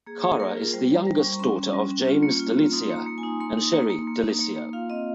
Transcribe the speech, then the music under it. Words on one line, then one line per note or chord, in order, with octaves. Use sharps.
Cara is the youngest daughter of James DeLizia and Sherry DeLizia.
A#3 G#4
A#3
A#3 A#4
F4
G3 C5
G3 A#5
G3
C#6
G3
C#4 C6
C#4
G3
C#4
F4
A#3
F4
A#3
D#4 C6
A#3
A#5
A#3
G#5
D#4
A#3 C6
D#4
A#3
A#3
A#3
D#4
A#3
A#3
F4 F5
C4 D#5